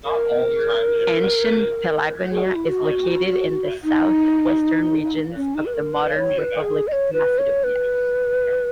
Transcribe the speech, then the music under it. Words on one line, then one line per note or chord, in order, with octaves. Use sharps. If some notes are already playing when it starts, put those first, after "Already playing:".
Ancient Pelagonia is located in the south-western regions of the modern Republic of Macedonia.
A#4
G#4
F#4
E4
F#4
D#4
C#4
D#4
B4
A#4
B4
D#5
C#5
B4
G#4
D#5
C#5
B4
C#5
B4